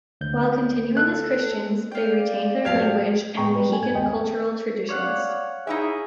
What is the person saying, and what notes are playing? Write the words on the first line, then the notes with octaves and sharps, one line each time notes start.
While continuing as Christians, they retained their language and Mahican cultural traditions.
D2 G6
A4 F#6
D5 F5 G5
A2 F#3 A3 G4 C5 F5 A5 G#6
A2 B3 G5 A#5 C#6
B4
G3 G#5
G2 G#6
D#2 G#3 D#5 G5 G#5
C#5 D5 F5 F#5
D#4 E4 G#4 E5